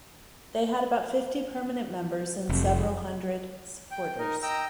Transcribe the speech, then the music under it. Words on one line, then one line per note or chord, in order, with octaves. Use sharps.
They had about fifty permanent members and several hundred supporters.
F1
G5
D#4 A#4 D#5
D#5 G5 A#5 E6